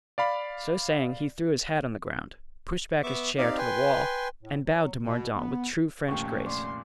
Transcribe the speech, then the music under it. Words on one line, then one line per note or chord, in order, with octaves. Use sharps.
So saying, he threw his hat on the ground, pushed back his chair to the wall and bowed to Mordaunt with true French grace.
D5 F5 B5
B3 E5 C#6 D6
C4 D#4 G4 D5 F5
B4 G5 G#5 C6
A2
F#3
B2
B3
C2 F2 A#2 D#3 A3 C#4 G4 C#6
D5 C6